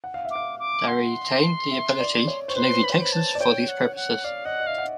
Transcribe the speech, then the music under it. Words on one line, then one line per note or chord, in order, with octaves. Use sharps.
They retain the ability to levy taxes for these purposes.
F#5
F5
E5
F5 D6
D6
F#5 C6
E5
D5
C#5
C5 C#6
B4 C6
B5
C#5 C6
C5 B5
A5
D5
C#5 G5
F#5
F#5
D5 F5
D#5 F#5
D#5
E5 F5
F#5